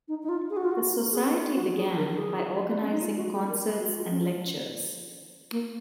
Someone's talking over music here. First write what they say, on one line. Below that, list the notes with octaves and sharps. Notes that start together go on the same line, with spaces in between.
The Society began by organising concerts and lectures.
D#4
D#4
F4
G#4
F#4
F4
F#4
G#4
F#4
G#4
A#4
A#4
G#4
C#4
D#4
F4
F#4
G#4
A#4
G#4
F#4
F4
C#4
A#3